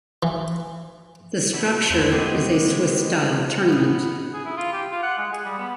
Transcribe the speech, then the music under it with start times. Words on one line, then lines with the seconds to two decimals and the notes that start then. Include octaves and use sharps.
The structure is a Swiss-style tournament.
0.23 E3
1.54 B2 E4
1.90 E2 F3 C4 E4 A4 C#5
2.12 B2 G#3 A#3 C4 G4 G#4
3.68 F#2 A2 B3
4.34 G#4
4.45 E4
4.57 F4
4.72 G4
4.91 F4
5.03 F#5
5.17 G#3
5.32 G#4
5.45 G3
5.57 B3